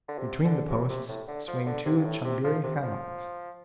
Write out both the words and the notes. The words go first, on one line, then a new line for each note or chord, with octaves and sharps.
Between the posts swing two chambiri hammocks.
D3
C3
D3
C3
C3
A2
D3
F3
D3
C3
G2
A2
C3
F3
C3
F3